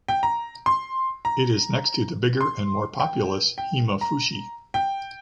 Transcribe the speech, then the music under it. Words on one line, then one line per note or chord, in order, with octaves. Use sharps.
It is next to the bigger and more populous Himmafushi.
G5
A#5
C6
A#5
C6
G5
G5
A#5
G5